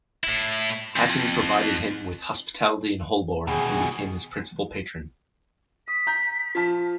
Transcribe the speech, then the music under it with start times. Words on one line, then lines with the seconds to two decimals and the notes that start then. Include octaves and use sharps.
Hatton provided him with hospitality in Holborn and became his principal patron.
0.24 A2 E4
0.96 F2
3.47 D#2 B2 G#4
5.88 D#6 B6
6.07 A#5 G6
6.55 F3 F4 A5